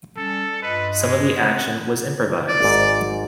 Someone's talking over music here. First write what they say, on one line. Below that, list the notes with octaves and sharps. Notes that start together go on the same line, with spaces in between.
Some of the action was improvised.
G3 C#4 A4
G2 F4 B4 D#5
G#3
C4 C#5 F#5
D5
G#1 G#2